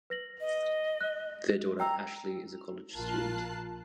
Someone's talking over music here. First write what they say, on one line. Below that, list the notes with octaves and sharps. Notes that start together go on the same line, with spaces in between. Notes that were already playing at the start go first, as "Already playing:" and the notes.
Their daughter Ashley is a college student.
B4 A#6 F#7
D#5
F#6
G5 A#5 E6
A#1 F4 A#4 A5 F#6 C7